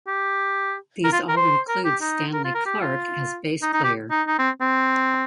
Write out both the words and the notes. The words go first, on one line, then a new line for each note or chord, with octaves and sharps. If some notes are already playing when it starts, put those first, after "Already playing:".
These all include Stanley Clarke as bass player.
G4
A#4
F4
A#4
C5
A#4
G4
D#4
A#4
F4
A#4
G4
F4
D#4
D#4
G4
D#4
D#4
C4
C4